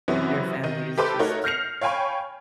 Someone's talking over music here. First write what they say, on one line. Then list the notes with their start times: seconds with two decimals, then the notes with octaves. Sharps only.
their family is just it
0.08 F#2 C3 E3 B3 C#4
0.63 D#3 D#4 D#7
0.98 G4 A4 B4 C5 D6
1.19 A3 D#4 F#4 A#4 C#5
1.44 F6 G6 A#6 C7 C#7 F7
1.81 C#5 F5 G5 G#5 B5 C#6